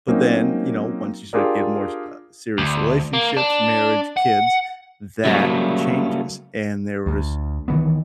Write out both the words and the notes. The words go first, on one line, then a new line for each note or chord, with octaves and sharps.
But then, you know, once you start getting more s uh, serious relationships, marriage, kids, that changes. And there was
F#3 A#3 C4 C#4 D#4
D4 F4 G4 G#4 A#4 D5
D2
A#3
D4
F#5
C#3 F#3 G3 A3 A#3
D2
D#3 E3 B3